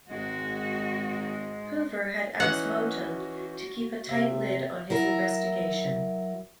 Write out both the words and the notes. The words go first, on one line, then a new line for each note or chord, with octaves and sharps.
Hoover had asked Moton to keep a tight lid on his investigation.
G#1 G#2 G#3 F#4
E3 C#4 D#4 F#4 F#5
C3 E5
F#3 E4 A#4 E5